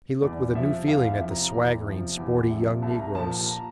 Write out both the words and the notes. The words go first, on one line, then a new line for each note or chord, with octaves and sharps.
He looked with a new feeling at the swaggering, sporty young negroes.
E2 D5
C3 F3 E5
E2 F5
E5
C3 F3
A#5
E2 A#5
C3 F3
E2
C3 F3
C2 A5
A#5
A#2 F3 A5
A5
A#5